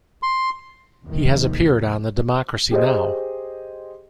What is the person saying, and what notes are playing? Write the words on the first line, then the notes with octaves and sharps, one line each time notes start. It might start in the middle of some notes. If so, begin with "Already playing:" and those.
He has appeared on the Democracy Now!
C6
D#2 G#2 C3 D#3 F3
G4 G#4 C5 D#5